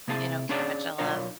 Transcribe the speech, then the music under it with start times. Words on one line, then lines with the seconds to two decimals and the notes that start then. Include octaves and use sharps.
you know, cabbage. I love
0.08 C3 A#3 C4 E4 G#4 A5
0.49 C#4 D4 G#4 C#5 D5 A5
0.98 B1 C3 D4 F4 A#4 C#5